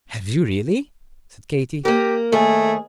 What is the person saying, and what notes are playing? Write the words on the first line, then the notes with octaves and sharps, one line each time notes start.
"Have you, really?" said Katy.
A#3 G4 A#4
D#2 A3 G#4